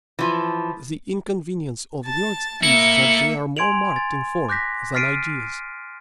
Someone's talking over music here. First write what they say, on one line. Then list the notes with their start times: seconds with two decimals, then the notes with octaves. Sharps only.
The inconvenience of words is that they are more marked in form than ideas.
0.19 E3 F3
2.06 A5
2.63 A#3 E4 A4 E5 C#7
3.57 G#5 C6 G#6 D7 F7 F#7
3.96 A6
4.49 D6 F#6 G6 A#6 B6
4.95 F6 A6 B6 C7 D7 D#7